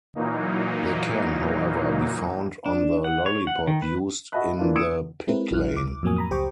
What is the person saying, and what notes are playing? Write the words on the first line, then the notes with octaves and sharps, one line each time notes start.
They can, however, be found on the lollipop used in the pitlane.
A#2 E3 F#3 A#3 D#4
D4
F#5
C#5
F#5
D#3
B4
F#4 D#5 E5 A5 B5 F#6
E3 A#3 D4 F4
D#6 E6 G#6 C#7 D7 E7
G#3 C4 E4 A#4 B4
A#1 F#3 E4 F6 F#6
D2 D6
F2 A2 F#3 A#3 G#5 D#6
A#5 B5 D#6
C#2 G4 C5 G5 C#6 D6